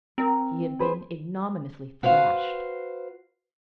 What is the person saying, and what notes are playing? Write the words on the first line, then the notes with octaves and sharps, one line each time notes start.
He had been ignominiously thrashed!
C4 A#4 A#5
G#4 B4 C5
F#4 B4 C5 F5